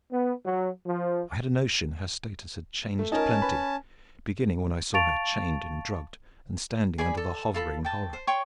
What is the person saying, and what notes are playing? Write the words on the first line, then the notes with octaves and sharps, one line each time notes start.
I had a notion her status had changed plenty, beginning when I saw her chained and drugged, and standing under the hovering horror.
B3
F#3
F3
A3
C#4 D#4 A#4 A5
B4
F5 A5 C#6 A6 D7 F7
G#4 D5 G#5 B5
A4
F4 A4 B5
G5 A5
C5
C#5 G5 C6 C#6